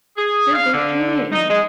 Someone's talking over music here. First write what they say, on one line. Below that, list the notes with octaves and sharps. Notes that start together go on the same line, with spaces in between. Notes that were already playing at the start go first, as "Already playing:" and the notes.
There goes Julia in.
G#4
F5
D3
D#4
G#3